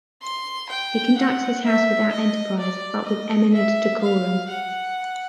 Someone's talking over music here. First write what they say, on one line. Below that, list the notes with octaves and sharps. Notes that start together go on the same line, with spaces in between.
He conducts his house without enterprise, but with eminent decorum.
C6
G5
F#5
E5
D#5
D5
D#5
E5
F5
F#5